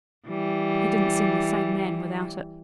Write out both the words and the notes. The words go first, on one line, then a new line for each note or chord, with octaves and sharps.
He didn't seem the same man without it.
E3 G3